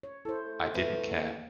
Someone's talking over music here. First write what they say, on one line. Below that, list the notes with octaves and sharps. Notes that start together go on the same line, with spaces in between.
I didn't care.
C#5
E4 A4 C5
A3
E2
A#3